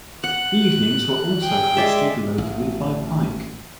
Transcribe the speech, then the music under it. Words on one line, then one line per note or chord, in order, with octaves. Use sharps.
Evenings were also hosted locally by Pyke.
F#5 F#6
G#4 G5
G#3 D5 E5
A1